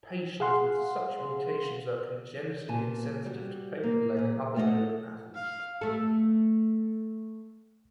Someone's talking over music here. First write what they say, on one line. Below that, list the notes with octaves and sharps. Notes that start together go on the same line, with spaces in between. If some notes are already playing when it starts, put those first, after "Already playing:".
Patients with such mutations are congenitally insensitive to pain and lack other neuropathies.
G#4 F5 F#5 C6
A#2 G#5 A5
G3 F#4
A#3
A#2 G#4
A3 C#5 D#5 E5 F#5
F5
A3 A4